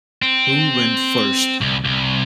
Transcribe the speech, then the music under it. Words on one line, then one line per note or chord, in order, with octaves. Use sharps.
Who went first?
C4
C2
C2